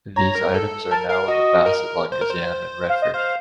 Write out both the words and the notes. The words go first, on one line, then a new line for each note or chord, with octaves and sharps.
These items are now in the Bassetlaw Museum in Retford.
C#5 A#5
A#4
A4
A#4 A5
A#4 F5
F#4 D#5
A#4
C5
A#4
C5
F5
D#5
C5 F5